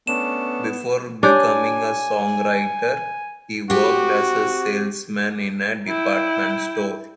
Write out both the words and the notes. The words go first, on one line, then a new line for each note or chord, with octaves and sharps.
Before becoming a songwriter, he worked as a salesman in a department store.
A3 B3 C#4 D4 E7
D4 G4 C#5 G#5 G6
C4 F#4 G4
E4 G5